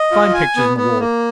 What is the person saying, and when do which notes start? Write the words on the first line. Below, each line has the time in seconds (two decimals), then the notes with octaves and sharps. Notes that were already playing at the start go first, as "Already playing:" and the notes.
Fine pictures on the wall.
Already playing: D#5
0.12 F4
0.34 G#5
0.57 B3
0.77 B3
1.00 A#3